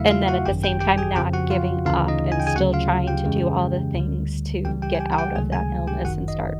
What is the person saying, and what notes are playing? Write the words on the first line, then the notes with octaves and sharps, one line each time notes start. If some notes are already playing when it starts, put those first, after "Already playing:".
and then at the same time, not giving up, and still trying to do all the things to get out of that illness and start
Already playing: E2 C#3 F#3 A3 E4 E5 F5
F4 F5
F#4 F#5
G#1 F#2 D#3 G4 G5
G4 G5
G4 G5
G#4 G#5
F2 C#3 F3 G4 G5
F#4 F#5
F4 F5
D2 C#3 E3 F4 F5
D#4 D#5
G#5
G5
G#4 G#5
D2 C#3 F#3 F#4 F#5
F4 F5
G4 G5
F2 C#3 E3 G#3
D2 D3 G3
C#2 C#3 E3 G3 G4 G5
G4 G5
G#5
G4 G5
F#5
G4 G5
C#2 C3 D#3 F#3 A3 G#4 G#5
G#4 G#5
G4 G5
G1 F#2 D#3 F#4 F#5
D#4 D#5